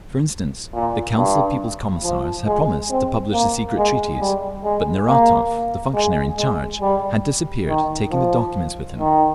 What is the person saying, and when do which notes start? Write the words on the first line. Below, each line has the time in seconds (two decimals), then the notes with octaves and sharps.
For instance, the Council of People's Commissars had promised to publish the Secret Treaties; but Neratov, the functionary in charge, had disappeared, taking the documents with him.
0.73 A#2
1.16 G2
2.04 F3
2.46 G#3
2.90 C4
3.33 A#3
3.77 G#3
4.21 G3
4.64 G#3
5.08 A#3
5.94 G#3
6.37 G#3
6.81 G3
7.68 D#3
8.11 F3
8.99 D#3